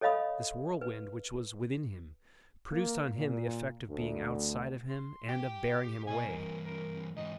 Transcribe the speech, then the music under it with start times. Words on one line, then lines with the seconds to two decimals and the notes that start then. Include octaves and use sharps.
This whirlwind which was within him, produced on him the effect of being outside of him and of bearing him away.
0.01 A4 C#5 D#5 F5 B5 D#6
0.81 B4
2.72 A#3
3.15 A#2
3.88 D2
4.89 C6
5.29 G4 G5
6.07 B2 D#5 G#5
6.28 G2 E3 A#4
6.66 A#4
7.17 G#2 E3 D#5